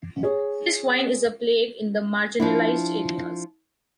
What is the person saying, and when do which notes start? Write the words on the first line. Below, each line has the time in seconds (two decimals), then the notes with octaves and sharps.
This vine is a plague in the marginalized areas.
0.23 G#4 C#5
2.40 F3 D4 E4